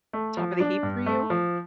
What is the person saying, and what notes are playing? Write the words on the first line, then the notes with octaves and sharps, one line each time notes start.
top of the heap for you?
A3
F3
D4
G2
A3
F3